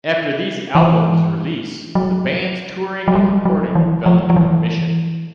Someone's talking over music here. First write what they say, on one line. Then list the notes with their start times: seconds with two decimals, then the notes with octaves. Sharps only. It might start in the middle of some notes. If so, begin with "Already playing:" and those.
After these albums' release, the band's touring and recording fell into remission.
0.75 E3
1.95 F#3
3.08 F#3
3.15 G3
3.45 F#3
3.75 E3
4.06 F3
4.30 F3
4.36 E3